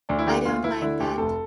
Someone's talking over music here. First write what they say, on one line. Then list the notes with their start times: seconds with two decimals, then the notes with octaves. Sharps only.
I don't like that.
0.09 D2 D4
0.19 E4
0.27 D3 G4
0.45 D2 F4
0.64 D2 E4
0.82 D3 E4
1.00 D2 G4
1.18 F1 A4